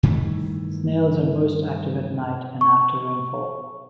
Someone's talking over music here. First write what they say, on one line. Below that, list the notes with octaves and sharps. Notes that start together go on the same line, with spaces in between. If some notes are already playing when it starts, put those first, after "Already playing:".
Snails are most active at night and after rainfall.
G2 D#3 E3 A3
C#6